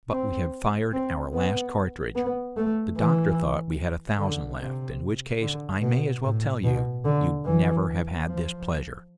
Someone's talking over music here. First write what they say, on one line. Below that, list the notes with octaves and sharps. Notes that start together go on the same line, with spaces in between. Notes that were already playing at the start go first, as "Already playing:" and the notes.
But we have fired our last cartridge--the doctor thought we had a thousand left--in which case, I may as well tell you, you'd never have had this pleasure.
C4
C4
B3
B3
A3
E3
D3
C3
D3
B2
A2
B2
D3
E3
F3